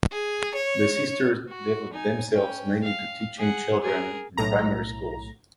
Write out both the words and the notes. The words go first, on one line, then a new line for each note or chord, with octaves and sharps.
The sisters devote themselves mainly to teaching children in primary schools.
G#4
C#5
F#4
D#4 G#5
C#4 G5
F5
G#4 F#5
G#4 A#4
B1 A2 A#5